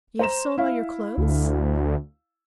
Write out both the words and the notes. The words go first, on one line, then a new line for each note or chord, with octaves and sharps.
"You have sold all your clothes?"
C5 A#5 E7
E4 F5
D2